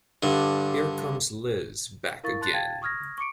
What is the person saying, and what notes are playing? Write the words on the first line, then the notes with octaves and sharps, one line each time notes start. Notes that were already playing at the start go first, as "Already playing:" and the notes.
Here comes Liz, back again!
G2 D3
E4 A#4 F5 C#6 A6
A5 C6 F#6 A6
F5 G5 A5 G#6 A6
C#6 D#6 F6 G#6 A#6
C#6 D6 C#7 D7